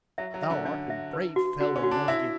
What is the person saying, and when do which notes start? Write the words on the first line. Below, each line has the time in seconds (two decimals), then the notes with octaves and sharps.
Thou art a brave fellow, mordioux!
0.18 F#3 E5
0.34 F#3
0.42 E5
0.50 D3
0.65 D3 D4
0.90 E5
1.13 B4
1.36 F#4
1.61 D3 F#4
1.76 C#4
1.84 F#4
1.91 D4
2.08 E4 E5